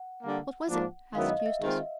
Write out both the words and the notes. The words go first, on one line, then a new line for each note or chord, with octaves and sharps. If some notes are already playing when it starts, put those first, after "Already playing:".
"What was it?" asked Eustace.
Already playing: F#5
D3 G3 A#3
G#2 F3 A#3 D4
F#2 D#3 G#3 B3 E4 F5
D#5
D#5
E5
D#3 G#3 C4 F4